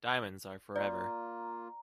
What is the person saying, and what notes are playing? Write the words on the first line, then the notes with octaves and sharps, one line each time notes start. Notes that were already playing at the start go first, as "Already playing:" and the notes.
Diamonds are forever.
A#3 F4 D5 A#5